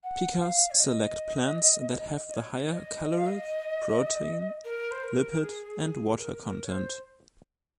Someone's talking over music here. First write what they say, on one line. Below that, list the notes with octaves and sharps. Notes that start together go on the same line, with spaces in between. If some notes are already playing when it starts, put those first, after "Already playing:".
Pikas select plants that have the higher caloric, protein, lipid and water content.
F#5
F#5
F5
C#5
D#5
D#5
C#5
C#5
D#5
D#5
F5
D#5
A#4
C5
A#4
G#4
G#4
A#4
A#4
C#5
C5